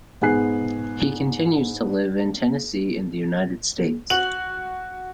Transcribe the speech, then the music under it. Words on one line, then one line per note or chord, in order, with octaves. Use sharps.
He continues to live in Tennessee in the United States.
G#2 B3 G#4 G#5 F#6 C7
F#4 F#7